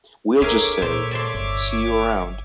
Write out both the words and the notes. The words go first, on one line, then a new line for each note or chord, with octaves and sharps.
We'll just say, 'see you around.
D4 G#4 A#4 C#5 E5 D6
A#2 C5
D5 A5 C6
G1